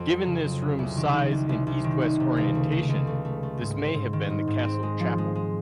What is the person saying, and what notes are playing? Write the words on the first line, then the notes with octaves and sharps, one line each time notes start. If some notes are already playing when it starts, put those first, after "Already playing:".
Given this room's size and east-west orientation, this may have been the castle chapel.
Already playing: F2
F#3
C#3
F2
C#3
C2
D#3
D#3
C2
C2
C2
D#3
C2
C3
C#2
A3
A3
C#2
A3
A3
A3
G#2
C4
G#2
D#3
G#2
G#2
C4
G#3
F3
G#3
G#3